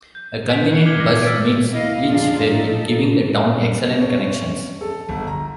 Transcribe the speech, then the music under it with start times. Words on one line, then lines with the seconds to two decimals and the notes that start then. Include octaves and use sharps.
A convenient bus meets each ferry giving the town excellent connections.
0.15 G6
0.48 F#6 B6 D7
0.73 C7 C#7 D#7
0.85 D6 F6 G#6 G7
1.00 D6 F6 F#6 G#6 A#6
1.22 E6 A6 B6 D7 D#7
1.71 D#2 E4 D#5 F5
2.07 F2 D4 D#4 F4 G#4 F5
2.46 D#4 A4
4.01 C#4
4.81 A4
5.09 G1
5.27 A#5